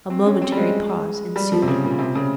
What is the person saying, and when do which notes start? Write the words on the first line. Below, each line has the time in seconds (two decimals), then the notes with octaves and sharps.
A momentary pause ensued.
0.10 C4
0.26 C#4
0.42 C4
0.52 G3
0.57 G#3
1.36 G3
1.52 F3
1.62 C3
1.68 C#3
1.84 A#2
1.99 C3
2.15 C#3